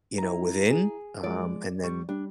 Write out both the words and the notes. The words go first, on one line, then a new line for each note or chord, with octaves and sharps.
you know, within, um, and then
E4 A#5
G#4
F3 G#3 D5
G3 C#6
G3 D4